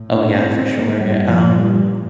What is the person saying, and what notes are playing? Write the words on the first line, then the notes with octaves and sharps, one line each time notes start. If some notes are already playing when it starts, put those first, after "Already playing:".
Oh, yeah, for sure. Um,
Already playing: A2
D4
C4
C4
A#3
G2 G3
F3
G2
G3